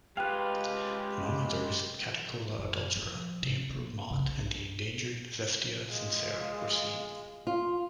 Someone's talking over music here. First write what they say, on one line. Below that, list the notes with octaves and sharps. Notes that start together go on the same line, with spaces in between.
Among others, "Catocala adultera", the emperor moth, and the endangered "Xestia sincera" were seen.
G#3 F4 G4 B4 F5 G5 F#6
F#2
F3
C3
A#3
C#3
B1
G#3 F4
F4